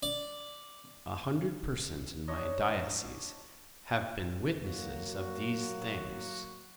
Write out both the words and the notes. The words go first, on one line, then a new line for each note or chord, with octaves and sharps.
A hundred persons in my diocese have been witnesses of these things.
D5
D4 C#5 D#5
F#3 A#3 F#4